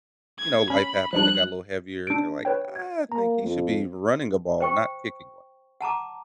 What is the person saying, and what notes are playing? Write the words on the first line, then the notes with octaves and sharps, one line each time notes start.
you know, life happened, I got a little heavier, and they're like, "I think he should be running a ball, not kicking one."
G#6
C#4 B5
F3 G3 D4 F#6
D4 D7
B4 C#5 G5
G#6
A#3 A#5
F2
C5 G5 C#6
F#5 A5 A#5 D6